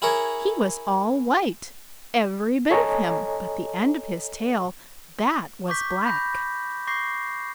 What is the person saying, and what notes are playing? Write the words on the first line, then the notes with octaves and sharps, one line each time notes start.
"He was all white, every bit of him but the end of his tail, that was black."
E4 G#4 A#4 C#5
A4 C#5 D#5 G#5 A#5
C#6 D6 G6 B6
B5 G6 A#6
C#6 D6 G6 A#6 C7